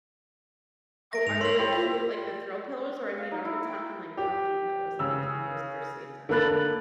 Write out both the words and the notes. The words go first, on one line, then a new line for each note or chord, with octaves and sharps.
Oh, are they, like, cute like, the throw pillows? Or, I mean, are we talking, like, comfy pillows that we can use for sleep time?
E5 A#6 D7
G#2 F7
A4 C#5 E5 C6 F#7
E4 G4 C5
F4 E5
F5
D#4
E4
G5
G4
C#3 E6
D3 A#3 B5 F#6 A6